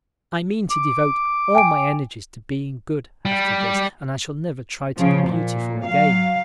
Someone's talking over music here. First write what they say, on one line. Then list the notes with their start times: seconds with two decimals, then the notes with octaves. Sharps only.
I mean to devote all my energies to being good after this and I shall never try to be beautiful again.
0.70 D6
1.55 G5 G#5 D7
3.25 G3
4.96 C#3 F3
5.29 A#2
5.86 F#3 F5